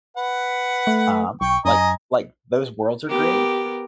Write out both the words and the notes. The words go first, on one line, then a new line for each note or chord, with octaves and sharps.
Um, like like, those worlds are great,
B4 F#5
A3
B1 G5 C#6
F#2 D#5 G#5 A#5
B3 G4 A#4